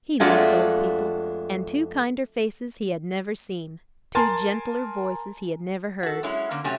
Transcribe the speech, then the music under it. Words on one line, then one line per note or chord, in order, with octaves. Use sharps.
He loved old people, and two kinder faces he had never seen--two gentler voices he had never heard.
F2 G#3 A3 D4 F4 F#4
A#4 G#5 A5 C6 A6
F#4 A4
F#3 G#3 C#4 E4
D3 A#3 C#4
C3 F#3 A3 C#4 G4 G#5